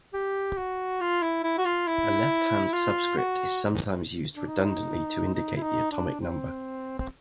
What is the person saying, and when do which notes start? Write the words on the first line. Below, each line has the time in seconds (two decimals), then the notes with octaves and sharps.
A left-hand subscript is sometimes used redundantly to indicate the atomic number.
0.13 G4
0.57 F#4
1.00 F4
1.22 E4
1.43 E4
1.58 F#4
1.65 F4
1.87 E4
2.73 F4
3.17 F#4
4.36 D4
4.47 D#4
5.34 D#4
5.56 E4
5.63 D#4
5.91 D4
6.21 C4
6.99 C4